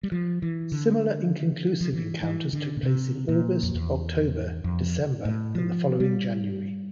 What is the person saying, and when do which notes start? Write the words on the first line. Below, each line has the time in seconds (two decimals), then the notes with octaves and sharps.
Similar inconclusive encounters took place in August, October, December, and the following January.
0.03 G3
0.12 F3
0.42 E3
0.72 D3
1.80 F3
1.93 E3
2.23 E3
2.53 D3
2.77 A#2
2.83 C3
3.29 A#2
3.63 F2
3.74 E2
4.64 F2
5.25 A2
5.55 F3
6.00 G3